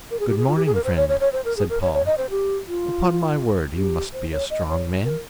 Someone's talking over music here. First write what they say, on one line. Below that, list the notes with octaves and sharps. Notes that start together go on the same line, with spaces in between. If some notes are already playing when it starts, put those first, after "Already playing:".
'Good morning, friend,' said Paul; 'upon my word, you must be a strong man!'
A#4
G#4
G4
G#4
F4
G4
G#4
A#4
C5
C#5
C#5
C#5
C5
A#4
G#4
A#4
C#5
C#5
D#5
C5
G4
F4
G4
C5
C#5
D#5
C#5
A#4